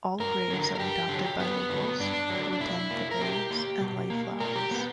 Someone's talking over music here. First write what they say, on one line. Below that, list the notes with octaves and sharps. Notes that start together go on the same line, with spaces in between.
All graves are adopted by locals, who attend the graves and lay flowers.
G2 A#4
D3 F#3
A#4
G2 G4
D3 F#3
G2 B3
D3 F#3
G2 D4
D3 F#3
D4
B2 E4
A#3
A#4
B2 G4
A#3
B2
A#3
B2 A#4
G4
A#3 B3